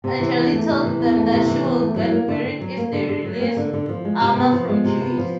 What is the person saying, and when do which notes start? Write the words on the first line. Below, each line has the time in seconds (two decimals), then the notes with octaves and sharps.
Anjali tells them that she will get married if they release Amar from jail.
0.04 C3
0.20 E3
0.37 E2
0.53 A3
0.69 C3
0.84 E3
1.01 E2
1.17 A3
1.32 C3
1.48 E3
1.64 E2
1.81 A3
1.96 F#3
2.12 A#3
2.28 D3
2.44 D3
2.61 F#3
2.77 A#3
2.92 D3
3.09 D3
3.25 F#3
3.40 A#3
3.57 D3
3.73 D3
3.89 F3
4.05 G#3
4.21 C3
4.37 B3
4.52 F3
4.69 G#3
4.84 C3
5.02 B3
5.18 F3